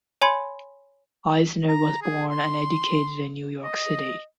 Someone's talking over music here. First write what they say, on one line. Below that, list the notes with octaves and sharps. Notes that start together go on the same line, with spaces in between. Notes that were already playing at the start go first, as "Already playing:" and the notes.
Eisner was born and educated in New York City.
C#5 G#5 B5 C6 G#6 C#7
A#5
G#4
C6
D#5